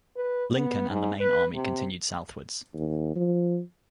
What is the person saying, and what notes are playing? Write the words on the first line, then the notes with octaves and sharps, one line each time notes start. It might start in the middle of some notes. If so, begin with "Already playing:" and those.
Lincoln and the main army continued southwards.
B4
B3
G#2
B4
C3
D#2
F3